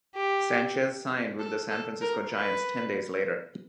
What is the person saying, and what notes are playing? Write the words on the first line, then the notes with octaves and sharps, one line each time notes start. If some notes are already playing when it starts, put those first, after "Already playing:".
Sanchez signed with the San Francisco Giants ten days later.
G4
A4
A4
A#4
B4